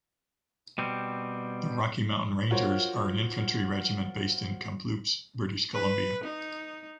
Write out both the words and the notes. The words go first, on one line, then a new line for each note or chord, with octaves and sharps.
The Rocky Mountain Rangers are an infantry regiment based in Kamploops, British Columbia.
B2 G3 C4
F4 F#4 A#4 C5 C#5
B4
D#4